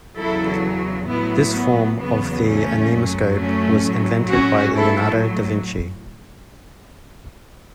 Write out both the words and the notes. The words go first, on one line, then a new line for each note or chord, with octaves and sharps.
This form of the anemoscope was invented by Leonardo da Vinci.
E2 C#3 F#3 E4 A4
A2 F#3 B3 E4
B3
E2 C#3 F#3 B3
A3 C#4
F#2 F#3
A3 C#4
A2 F#3
C#4 F#4
A2 F#3 E4 A4